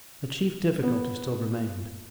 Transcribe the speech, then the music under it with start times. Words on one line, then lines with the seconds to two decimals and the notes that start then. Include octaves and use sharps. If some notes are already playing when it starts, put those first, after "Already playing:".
The chief difficulty still remained.
0.82 B3